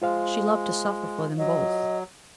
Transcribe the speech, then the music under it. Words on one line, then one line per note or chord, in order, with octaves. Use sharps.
She loved to suffer for them both.
G#3 F4 C5 F5
F#3 D#5